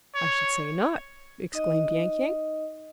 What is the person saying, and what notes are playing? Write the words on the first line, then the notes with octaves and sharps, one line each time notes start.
"I should say not!" exclaimed Yank-Yank.
C#5
D#4 D#5